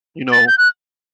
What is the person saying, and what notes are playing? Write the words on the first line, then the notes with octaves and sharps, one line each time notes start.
You know,
A6
G6
F#6